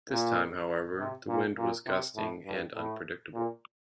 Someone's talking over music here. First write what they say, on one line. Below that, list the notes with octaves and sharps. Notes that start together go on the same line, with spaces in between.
This time, however, the wind was gusting and unpredictable.
A#2
C3
A#2
A#2
C3
A2
G2
A2
A#2